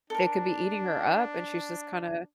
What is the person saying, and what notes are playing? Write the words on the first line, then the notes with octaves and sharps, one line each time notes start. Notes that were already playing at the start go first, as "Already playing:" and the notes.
it could be eating her up, and she's just, kinda
D4 A4 A#4